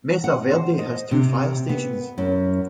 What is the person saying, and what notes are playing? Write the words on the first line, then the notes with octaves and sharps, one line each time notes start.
Mesa Verde has two fire stations.
F#5
C5
D#5
C3
B3
F#2